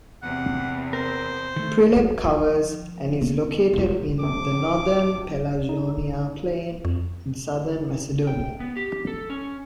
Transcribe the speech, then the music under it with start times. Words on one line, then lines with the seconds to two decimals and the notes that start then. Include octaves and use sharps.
Prilep covers and is located in the northern Pelagonia plain, in southern Macedonia.
0.23 E2 C3 F#5
0.93 A#4 C5
1.56 D#3 A3
1.96 F#3
2.24 F3
3.21 B3
3.73 E1 F4
4.20 A#1 F2 D6
5.69 D#4
6.85 F2
8.27 G5
8.60 B3
8.76 G4
9.07 A4
9.30 C#4